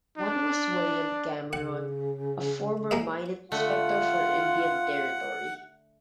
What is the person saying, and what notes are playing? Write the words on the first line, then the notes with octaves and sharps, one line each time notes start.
One was William Cameron, a former Mine Inspector for Indian Territory.
D4
C#3 F#5
G#3 A#3 E5
D3 A3 F4 F#5